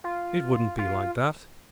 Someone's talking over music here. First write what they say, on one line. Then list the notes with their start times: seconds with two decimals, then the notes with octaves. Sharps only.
"It wouldn't be like that."
0.04 F4
0.78 F4